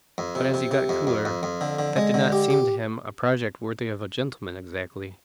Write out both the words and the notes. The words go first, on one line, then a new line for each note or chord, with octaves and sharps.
But as he got cooler, that did not seem to him a project worthy of a gentleman exactly.
F2
C3
C3
C3
F2
F2
F2
F2
D3
D3
G#3
D3
G4
G4